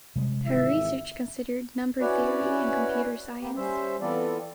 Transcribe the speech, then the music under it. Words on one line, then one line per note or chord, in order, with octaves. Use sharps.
Her research considered number theory and computer science.
C3 G3 G#3
G#1 E3 E5
C#4 E4 F#4 B4 C#5 D5
A#3 B3 G4
G3 C#4 C5 E5
E3 B3 C4 F4 A4 D5